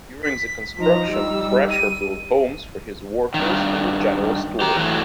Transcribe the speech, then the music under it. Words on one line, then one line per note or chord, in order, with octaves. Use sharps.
During the construction Thrasher built homes for his workers and a general store.
B6
F3 D#4 A#5
G3 E6
D#7
G2 D#3
G4 A#5
E3 F#3 A3